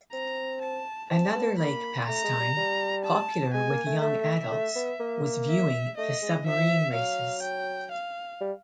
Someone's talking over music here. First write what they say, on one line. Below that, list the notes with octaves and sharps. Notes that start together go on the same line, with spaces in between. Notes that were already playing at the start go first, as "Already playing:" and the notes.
Another Lake pastime popular with young adults was viewing The Submarine Races.
C4 A#5
A5
C4 A5
B3
A#3 B5
A3 A#5
G#3
G3
G3
A5
G#3 G#5
A#3
A3
A3 E5
A3
B3
A#3
E5
A3 D#5
G#3
F3 E5
F#3 F5
G5
F5
G3